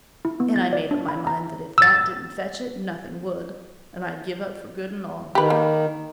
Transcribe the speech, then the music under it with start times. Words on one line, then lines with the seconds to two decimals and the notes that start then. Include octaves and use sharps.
And I made up my mind that if that didn't fetch it nothing would and I'd give up for good and all.
0.25 E4
0.40 B3
0.56 A6
0.73 D5
0.91 D4
1.09 B5
1.27 A#5
1.78 E6 A6
5.35 D#3 G4 B4
5.50 A#3